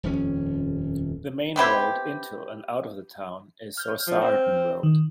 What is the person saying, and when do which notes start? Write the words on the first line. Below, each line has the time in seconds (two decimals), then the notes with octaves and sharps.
The main road into and out of the town is Rossarden Road.
0.03 D#1 F2 C#4
1.56 B3 C4 E4 G4
3.77 F6 G6
4.07 F3
4.21 C4
4.83 D#3